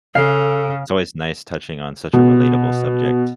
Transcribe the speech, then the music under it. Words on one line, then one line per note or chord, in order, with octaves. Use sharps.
It's always nice touching on such a relatable subject.
C#3 A4 F5
B2